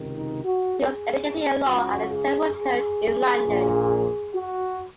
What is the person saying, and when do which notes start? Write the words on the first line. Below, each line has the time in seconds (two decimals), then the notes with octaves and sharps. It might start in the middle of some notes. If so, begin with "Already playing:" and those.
He was educated in law at the Temple Church in London.
Already playing: C#2 C3 D#3
0.15 D#4
0.45 F#4
0.75 G#4
1.65 C#2 C#3 F#4
2.09 G#4
2.55 G#4
3.45 A#1 A#2
4.35 F#4